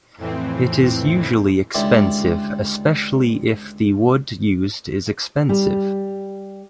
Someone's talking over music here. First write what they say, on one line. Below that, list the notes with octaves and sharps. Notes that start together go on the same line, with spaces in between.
It is usually expensive especially if the wood used is expensive.
F2 A2 E3 C4
C#2 D3 E4 G4
G3